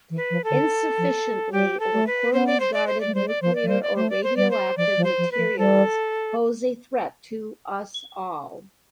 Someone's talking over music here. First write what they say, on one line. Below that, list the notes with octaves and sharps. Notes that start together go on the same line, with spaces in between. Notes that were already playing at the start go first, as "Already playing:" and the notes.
Insufficiently or poorly guarded nuclear or radioactive materials pose a threat to us all.
E3
B4
F3
A4
D3
F3
G3 G4
A4
A3
B4
B3 C5
D5
C5
D5
C5
D5
A3
G3 C5
D5
F3 C5
D5
F3
G3 C5
D5
A3 C5
D5
C5
G3 D5
C5
F3 D5
F3
C5
F3
B4
F3
G3 A4